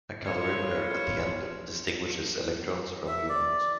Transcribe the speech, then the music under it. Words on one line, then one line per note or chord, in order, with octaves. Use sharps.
A calorimeter at the end distinguishes electrons from muons.
E4 F4 C5 C#5
E5
D5